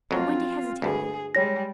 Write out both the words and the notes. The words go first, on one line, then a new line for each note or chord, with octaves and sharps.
But Wendy hesitated.
F2 F#3 C4 F4
D2 G2 G#4
G3 G#3 C#5 A#6